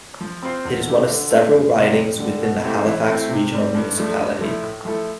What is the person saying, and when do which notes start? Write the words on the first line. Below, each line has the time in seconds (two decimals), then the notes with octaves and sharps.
It is one of several ridings within the Halifax Regional Municipality.
0.21 F3
0.42 C4 F4 C5
0.65 E2
0.87 D3 A3 E4 G4
1.09 D3
1.30 A3 C4
1.53 F2
1.75 C3 G3 B3 F4
1.97 F2
2.19 D3 G3
2.42 B2
2.64 A3 C4 E4 G4
2.85 E3
3.07 A3 C4 E4
3.29 C3
3.52 G3 C4
3.74 G2
3.96 F3 A3 D4
4.19 G2
4.41 F3 A3 E4
4.62 A2
4.85 F3 A3 E4 A4